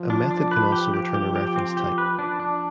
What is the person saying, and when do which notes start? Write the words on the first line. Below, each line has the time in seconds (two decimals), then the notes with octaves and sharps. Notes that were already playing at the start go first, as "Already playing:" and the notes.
A method can also return a reference type.
Already playing: F3
0.10 D4
0.31 D4
0.51 B4
0.72 G4
0.94 G4
1.14 G4
1.36 G4
1.56 C4
1.77 G4
1.98 B4
2.19 F3 D4
2.39 D4